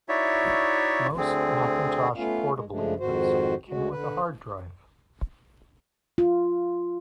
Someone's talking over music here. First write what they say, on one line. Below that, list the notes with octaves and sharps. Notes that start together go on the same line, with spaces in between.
Most Macintosh Portable units came with a hard drive.
D#4 E4 F#4 C#5 D5 E5
D2 D3 C4 G#4
A3 B3 C#4 F4 F5
G#3
C#3 F3 G#3 A3 D4
F2 G#2 D#3 F#4 C5
D2 G#3 F#4
D3 B4
F4